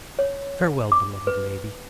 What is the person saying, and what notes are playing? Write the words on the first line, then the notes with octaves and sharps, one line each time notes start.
'Farewell, beloved lady!
C#5
D6
B4